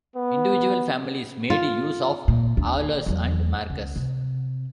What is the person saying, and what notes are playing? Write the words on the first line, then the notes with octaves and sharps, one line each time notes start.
Individual families made use of "Aulus" and "Marcus".
B3
F4
A#2
D#2 D4
E2 F#3
C#2
C3